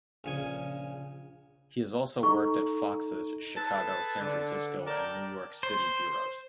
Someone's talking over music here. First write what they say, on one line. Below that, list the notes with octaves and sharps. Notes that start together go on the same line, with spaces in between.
He has also worked at Fox's Chicago, San Francisco, and New York City bureaus.
A#1 C#3 G#5
D#4 A4 A#5 C#6
G#4 A4 B4 A5
D3
A#4 D5 G5 A5 A#5
C5